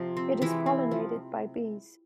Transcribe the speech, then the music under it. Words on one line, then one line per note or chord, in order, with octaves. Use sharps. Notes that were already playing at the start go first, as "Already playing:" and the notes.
It is pollinated by bees.
Already playing: C3 F3
C4
E3 G#3 E4
C4
F3